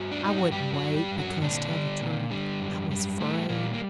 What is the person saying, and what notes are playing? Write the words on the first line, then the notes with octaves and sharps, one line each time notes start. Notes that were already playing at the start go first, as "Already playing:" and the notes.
I wouldn't wait because, tell the truth, I was afraid.
Already playing: G2 F#4
D4
F#3 D#4
F#4
G2 G3 G4
F#3 F#4
G2
G3 G4
G2
F#3 F#4
A#2 D3 D4
G3
A#2
D3 G3
F#2
G3
A2 A3
A#2 G3 A#3
A#3